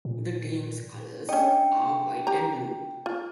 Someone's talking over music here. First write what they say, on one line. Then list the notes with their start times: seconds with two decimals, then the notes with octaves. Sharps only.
The team's colors are white and blue.
0.05 A#2
1.29 C#4 D4 D#5 G5 C#7
2.27 G4 A#5
3.06 F4